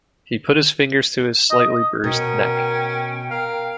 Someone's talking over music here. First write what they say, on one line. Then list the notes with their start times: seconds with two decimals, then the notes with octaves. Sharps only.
He put his fingers to his slightly bruised neck.
1.51 D#5
2.04 B2 C#4 A#4 G5
3.31 A#4 F5